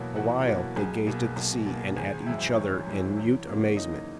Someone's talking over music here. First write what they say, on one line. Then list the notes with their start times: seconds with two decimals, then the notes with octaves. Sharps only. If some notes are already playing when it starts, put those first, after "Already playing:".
Awhile, they gazed at the sea and at each other in mute amazement.
Already playing: E2 B2 F#3 A#3 E4
0.16 E2 F#4 F#5
0.46 B2 F#3 A#3
0.76 B1 G#4 G#5
1.07 B2 A#3
1.36 B1
1.66 B2 A#3
1.96 G#1 G#4 G#5
2.26 F#2 E3 G#3 E4 E5
2.57 G#1 C#4 C#5
2.87 F#2 E3 G#3
3.17 E2
3.47 C#3 F#3 A#3
3.77 E2 D#4 D#5